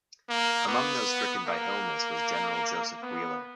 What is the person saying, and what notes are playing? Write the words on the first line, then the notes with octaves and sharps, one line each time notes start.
Among those stricken by illness was General Joseph Wheeler.
A#3
B3
A#3
B3